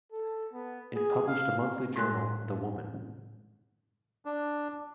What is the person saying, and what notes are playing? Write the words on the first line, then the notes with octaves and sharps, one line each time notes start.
It published a monthly journal "The Woman".
A4
B3
G#4
F5
A2 G#3 A#4 C6 F#6
D4